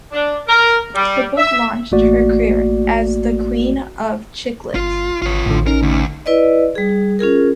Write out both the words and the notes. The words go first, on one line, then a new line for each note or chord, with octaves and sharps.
The book launched her career as "the queen of chick lit".
D4
A#4
G3
E5
A1 A3 A#3 F#4 D5
G1 F4
G#1 F4 C#5
A1 A2 D3
C#4 D#4 A#4
D2
E4 B4 D5 D#5
G3 G#4
C#4 F4 G#4 A#4